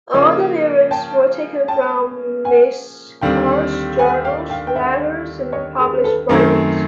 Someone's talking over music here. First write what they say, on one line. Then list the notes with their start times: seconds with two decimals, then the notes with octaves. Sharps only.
All the lyrics were taken from Ms. Carr's journals, letters, and published writings.
0.14 C#3 F3 A#3 D#5 F5
0.91 G5 A5
1.68 G5 A5
2.45 F#5 G#5
3.21 D#2 D3 G3 C4 F5 G5
3.99 F#5 G#5
4.24 F5 G5
4.50 F5 G5
4.67 G5
4.76 E5 F#5
5.52 C#5 D#5
5.79 G#4 A#4
6.04 A4 B4
6.29 F#2 D#3 F#3 A3 C4 A#4 C5